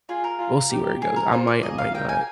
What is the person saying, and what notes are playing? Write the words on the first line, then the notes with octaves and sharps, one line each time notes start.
we'll see where it goes. I might, I might not
F4 G#4
A#4
F4
G4
G#4
A#4
F4 C5
D5
G#4 D#5
F5
A#4 G5
G#5